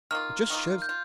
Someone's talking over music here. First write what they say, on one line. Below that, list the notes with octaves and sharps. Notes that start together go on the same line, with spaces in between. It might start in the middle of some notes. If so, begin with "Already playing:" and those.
It just shows.
D#3 A#3 F4 F6
D#3 A#3 F4
G6
F4